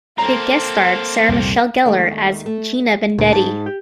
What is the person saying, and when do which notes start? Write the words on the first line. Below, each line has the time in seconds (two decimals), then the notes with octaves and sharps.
It guest-starred Sarah Michelle Gellar as Gina Vendetti.
0.18 A#3 C4 A4 C5 A#5
1.29 C2 F2 A#2
1.86 D#2 D#3 G#3 A3 D5
2.46 A3
3.19 D2 A#2
3.33 G#2 A5
3.66 G4